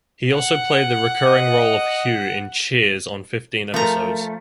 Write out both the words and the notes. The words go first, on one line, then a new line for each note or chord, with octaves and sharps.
He also played the recurring role of "Hugh" in "Cheers" on fifteen episodes.
F#5
D#5
F3 A3 A#4 A#5